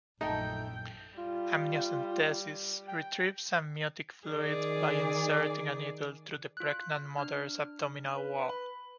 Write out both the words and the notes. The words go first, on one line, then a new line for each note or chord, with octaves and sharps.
Amniocentesis retrieves amniotic fluid by inserting a needle through the pregnant mother's abdominal wall.
A#1 F#2 A3 D#4 G5
G3 F4
G5
D#3 G#4 D5
F4 F#6
D4 F6
B4
B5